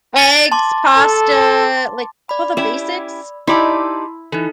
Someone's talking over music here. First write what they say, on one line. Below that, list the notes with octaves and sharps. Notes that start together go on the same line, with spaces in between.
eggs, pasta, like, all the basics,
A6
A5 C6 D6
A4
D5 B5
C#4 E4 G4 E5
D#4 E4 G4 D5 A5 A#5 C6
E3 D#4 E4 A4